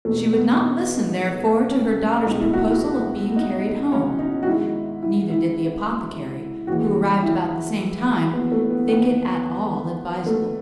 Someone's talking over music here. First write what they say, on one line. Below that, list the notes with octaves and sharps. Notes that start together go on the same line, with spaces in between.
She would not listen, therefore, to her daughter's proposal of being carried home; neither did the apothecary, who arrived about the same time, think it at all advisable.
E2 B2 A3
B3
D#4
C#4
C#2 B2 D#4
E4
F#4
E4
D#4
C#4
D#4
F#4
G#2 D#3 E4
E4
E4
D#2 C#3 E3 F#4
E4
B3
A3
B3
D#2 D#3 B3
A3